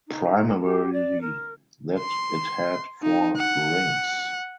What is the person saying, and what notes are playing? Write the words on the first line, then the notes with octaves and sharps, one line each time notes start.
Primarily that it had four rings.
D#4
G4
D5
A#4
C6
D#4
F#5